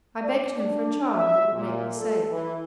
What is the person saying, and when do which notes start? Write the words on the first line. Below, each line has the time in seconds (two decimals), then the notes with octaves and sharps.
I begged him for a charm that would make me safe.
0.22 D5
0.52 D4
1.13 E5
1.52 A#2
1.95 A4
2.31 E3